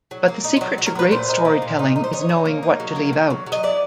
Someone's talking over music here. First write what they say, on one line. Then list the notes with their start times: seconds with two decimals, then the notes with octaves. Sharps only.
But the secret to great storytelling is knowing what to leave out.
0.11 F#3
0.28 A#3
0.44 D#4
0.57 F4
0.61 F#3 F#4
0.78 F#3
0.86 A#4
0.95 F#3 B4
1.11 A#2 C5
1.29 D#4
1.45 A#3
1.62 A#2
1.79 D#4
1.96 D#4
2.04 C5
2.13 D#4 C#5
2.29 D#4
2.45 A#3
2.63 D#4
2.80 F#3
2.96 A#3
3.13 D#3
3.30 F#3
3.46 F#3
3.52 D#5
3.63 E4 D5